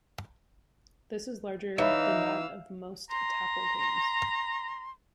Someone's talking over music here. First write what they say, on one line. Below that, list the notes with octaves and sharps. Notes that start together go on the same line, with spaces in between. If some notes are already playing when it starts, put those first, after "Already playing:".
This is larger than that of most "tafl" games.
E3 D#4 C#5 E5 F5 B5 E6
A#5 C6